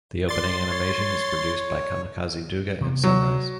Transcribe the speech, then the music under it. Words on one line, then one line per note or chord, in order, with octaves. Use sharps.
The opening animation is produced by Kamikaze Douga and Sunrise.
D5 C6 A6
C#5
C3 B3
F#3